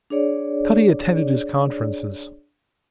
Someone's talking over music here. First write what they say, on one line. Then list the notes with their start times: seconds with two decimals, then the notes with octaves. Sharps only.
Cutty attended his conferences.
0.10 D4 G#4 C#5 D5